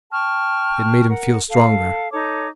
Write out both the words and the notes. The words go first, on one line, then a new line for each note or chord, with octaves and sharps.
It made him feel stronger.
G5 A5 C#6 F6
A#4 F#5
A4 F5
D#4 A4 C#5 D6